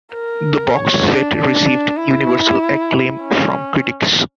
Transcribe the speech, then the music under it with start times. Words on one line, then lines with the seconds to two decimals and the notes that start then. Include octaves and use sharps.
The box set received universal acclaim from critics.
0.13 A#4
0.75 C#5
1.05 D4
1.37 D4
1.98 E4
3.22 C#4